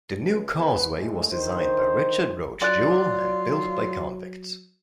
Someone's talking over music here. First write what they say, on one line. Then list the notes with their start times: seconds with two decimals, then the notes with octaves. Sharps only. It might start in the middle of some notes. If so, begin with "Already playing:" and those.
The new Causeway was designed by Richard Roach Jewell and built by convicts.
0.20 C#2
0.55 B3 G#4 B4
0.96 A#2 D3 G#3 A3
1.30 D3 D#3 C5
2.62 F#3 F4 D5 F#6